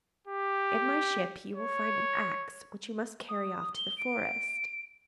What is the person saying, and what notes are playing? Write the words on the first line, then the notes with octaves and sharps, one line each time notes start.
In my ship you will find an axe, which you must carry off to the forest.
G4
C#5
D#6
G7
D7